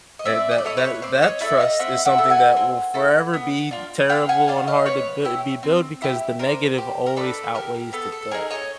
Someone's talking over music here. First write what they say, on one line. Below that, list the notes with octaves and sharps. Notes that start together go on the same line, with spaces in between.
and that that that trust is something that will forever be terrible, and hard to b be built because the negative always outweighs the good.
D#5
C4 D5 E5
D#5
D5
E4 A4 C#5 D#5
B4 C#5
C4 C5 D5
C#5 D#5
E4 A4 D5 E5
D#5 F5
C4 E5 F#5
E5 F#5
E4 A4
F#5 G#5
C4
E4 A4
B3
D4 F4
B3 F5 G5
F#5 G#5
D4 F4 F5 G5
D#5 F5
C4 B4 C#5
E4 G4
C4
E4 G4
D4 A#4 C5
G4
A#4
D4 A4 B4
G4 A#4
B3 A4
A4
D#4 G#4 A#4
C#5 D#5